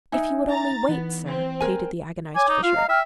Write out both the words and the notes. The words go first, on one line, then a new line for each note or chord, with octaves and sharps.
"If you would only wait, sir," pleaded the agonized Fisher.
D#4 E5 G#5
A#5 A6
E3 B3
C4
A#4 G#5
C#5 G#5 D6
D#4
F4 F5
D#5 A#5
E5 G5 F6